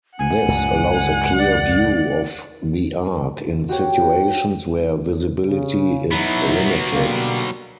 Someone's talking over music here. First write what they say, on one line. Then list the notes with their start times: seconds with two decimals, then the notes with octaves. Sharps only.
This allows a clear view of the arc in situations where visibility is limited.
0.19 F#5 G#5
0.48 C#2 G2 A#2
1.38 D5
3.69 F#4 G4 C#5
5.47 C#3
6.11 F#3 B3 D#4 E4
6.93 D3 G3 A#3